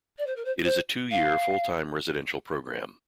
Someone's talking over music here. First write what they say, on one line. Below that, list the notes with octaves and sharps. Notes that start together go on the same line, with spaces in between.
It is a two-year, full-time residential programme.
D5
C5
A#4
C5
C5
F5